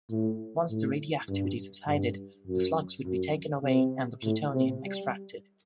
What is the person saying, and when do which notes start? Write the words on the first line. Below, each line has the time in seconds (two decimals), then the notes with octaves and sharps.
Once the radioactivity subsided, the slugs would be taken away and the plutonium extracted.
0.10 A2
0.69 A2
1.29 G2
1.87 G2
2.47 F#2
3.05 F#2
3.65 C3
4.23 A2
4.53 C3
4.84 G3